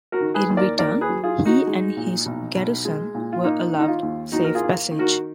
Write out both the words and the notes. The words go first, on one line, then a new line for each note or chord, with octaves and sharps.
In return, he and his garrison were allowed safe passage.
F#4 A#4
D#3
G#4 B4
D#2
A#4 D5
D#2 A#4 D5
G#4 B4
F#3
F4 G#4
D#3
D#4 F#4
G#3
A#2
B1
B1
G#3
A#2
F4
A#3 D#4
D#3
D#4
F4
D#2
D#2 D#4 F#4
A#4
F4 G#4
A#3
D#3
F#4 A#4